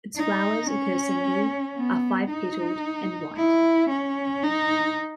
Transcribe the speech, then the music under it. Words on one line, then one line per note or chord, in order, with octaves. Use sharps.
Its flowers occur singly, are five-petalled, and white.
D#4
C#4
B3
D#4
E4
C#4
D#4